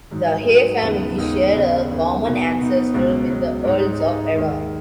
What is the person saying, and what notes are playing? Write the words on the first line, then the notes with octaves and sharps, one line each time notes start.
The Hay family share a common ancestor with the Earls of Erroll.
G#2 F#3 D#4
G#2 F#3 D#4
D#2 C#3 G#3 B3 D#4
D#2 C#3 G#3 B3 D#4
D#2 C#3 B3
D#2 C#3 B3
B2 B3 D#4
B2 B3 D#4
C#2 B2 F#3
C#2 B2 F#3
G#2 G#3 D#4
G#2 G#3 D#4
D#2 D#3 G#3